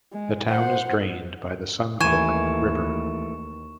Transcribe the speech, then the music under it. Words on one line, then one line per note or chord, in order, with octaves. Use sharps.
The town is drained by the Suncook River.
G#3
C5 F#5
D#2 E3 A3 G#5 C#6 E7